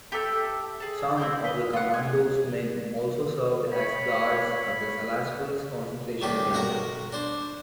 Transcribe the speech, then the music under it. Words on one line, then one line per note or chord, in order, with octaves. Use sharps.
Some of the commando's men also served as guards at the Salaspils concentration camp.
G4 A4 E5 G5
G#4 A5
C4 E4 G6
B4 D#5
F4 F#5
G#5
C#5 B5
C#2 A2 D#3 G3 G4
B1 F#4 A#4 A#5
D4 C5